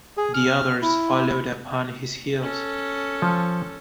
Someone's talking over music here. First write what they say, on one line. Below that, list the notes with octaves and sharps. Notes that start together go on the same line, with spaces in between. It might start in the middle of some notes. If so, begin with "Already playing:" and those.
The others followed upon his heels.
G#4
F6
E4
C#4 A4
F3